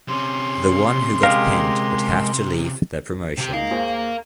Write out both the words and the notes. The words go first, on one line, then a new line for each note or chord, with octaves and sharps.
The one who got pinned would have to leave the promotion.
C3 C#4 C6
G#3 G4 A#4 F5
C3 G4
G#3 D#4 A#4 F5
D#2 G#4 C5